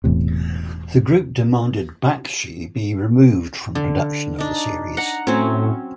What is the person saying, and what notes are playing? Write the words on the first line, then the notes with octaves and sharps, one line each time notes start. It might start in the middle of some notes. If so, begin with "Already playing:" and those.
The group demanded Bakshi be removed from production of the series.
E1 E2 A2 C3
D3
D4 D#4
F#5 A#5
A2 F#3 C4 C#4